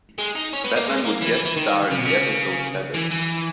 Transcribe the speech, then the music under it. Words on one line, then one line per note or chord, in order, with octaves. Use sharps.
Batman would guest-star in the episode "Shadows".
G#3
D#4
C#4
B3
A#3
G#3
A#3
E3
E3
E3
D#3
C#3
B2
C#3
E3
E3